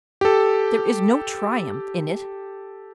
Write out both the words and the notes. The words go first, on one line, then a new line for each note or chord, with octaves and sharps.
There is no triumph in it.
G4 A4